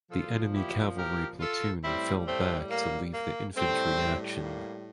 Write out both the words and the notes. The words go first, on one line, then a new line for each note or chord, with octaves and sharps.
The enemy cavalry platoon fell back to leave the infantry action.
A#2 F3 F4 A4
E4 G4
G4 A#4
F4 A4
A2 G3 C4 E4
A3 C4
A#3
A#3
A2 G3 A3 C4
A#3